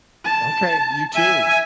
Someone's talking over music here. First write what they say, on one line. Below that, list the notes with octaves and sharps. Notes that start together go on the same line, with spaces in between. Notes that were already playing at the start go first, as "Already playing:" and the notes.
Okay, you, too.
A5
E5 G#5